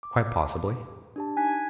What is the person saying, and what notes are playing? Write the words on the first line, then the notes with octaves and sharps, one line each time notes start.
"Quite possibly."
D6
D4 G4 A5
D#4 G#5 F#6 B6